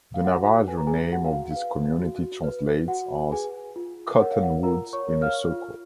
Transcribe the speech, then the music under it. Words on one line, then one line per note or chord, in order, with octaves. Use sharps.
The Navajo name of this community translates as "cottonwoods in a circle".
F5
F#4 F#5
B4 G#5
A#5
G#4 G#5
F#4 F#5
F5
F5
B4
F#4
B4
F#4 F#5
G#4 B4 G#5
F4
A#4 C#5 F#5
F5
F#5
F4 A#4 A#5
C#5 C#6
A#4 C#5
F5 F6
F4